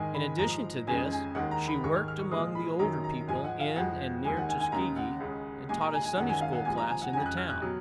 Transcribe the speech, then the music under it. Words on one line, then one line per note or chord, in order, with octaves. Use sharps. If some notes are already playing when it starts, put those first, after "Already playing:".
In addition to this, she worked among the older people in and near Tuskegee, and taught a Sunday school class in the town.
Already playing: G#2 D#3 G#3 G#5
B5
G#2 F3 G#3 A#5
F2 C#3 G#3 G#5
G#5
D#2 D#3 G#3 F#5
A#5
B5
G#2 D#3 G#3 C#6
F6
F6
C#6
A#2 F3 G#3 D#6
B5
F#2 D#3 F#3 A#5
A#5
G#2 F3 G#3 G#5
F#5
F5
F2 F3 G#3 F#5
D#2 D#3 G#3 G#5
F#5
G#5
G#5
D#2 C#3 G#3 A#5
F#5
C#2 C#3 G#3
A#2 G#3 G#5
A#5
G#5
G#5
F#2 D#3 G#3 F#5
G#5
F5
F#5
A#2 F3 G#3 G#5
A#5
G#5
F#5
F2 C#3 G#3 G#5
F#6
F6
F#6
B2 F#3